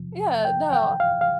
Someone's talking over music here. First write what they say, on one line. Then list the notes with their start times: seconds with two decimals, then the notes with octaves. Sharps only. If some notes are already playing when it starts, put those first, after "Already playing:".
Yeah, no.
Already playing: E2 C3 F3
0.45 G5
0.73 G5
1.00 F5
1.21 F5